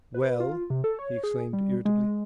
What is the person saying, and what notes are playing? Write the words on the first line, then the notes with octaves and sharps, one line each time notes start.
'Well?' he exclaimed irritably.
B4
F4
C3
A4
C#5
G#4
G3
G#3